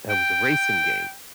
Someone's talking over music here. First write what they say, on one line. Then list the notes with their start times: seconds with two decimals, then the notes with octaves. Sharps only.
It was a racing game,
0.10 G5